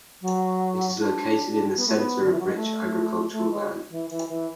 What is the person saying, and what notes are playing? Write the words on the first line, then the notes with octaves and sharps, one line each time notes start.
It is located in the center of rich agricultural land.
F#3
D4
B3
A3
B3
D3
E3
F#3
G#3
A3
A3
G#3
E3
E3
E3